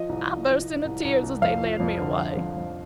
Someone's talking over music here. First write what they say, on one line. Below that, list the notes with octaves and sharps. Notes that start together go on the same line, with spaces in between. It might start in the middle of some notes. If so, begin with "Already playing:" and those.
I burst into tears as they led me away.
Already playing: F3 D#5
C2
F3
F3
F3
C2
C2
C2
F2 F5
F3
F2
D3
F2
F2
F2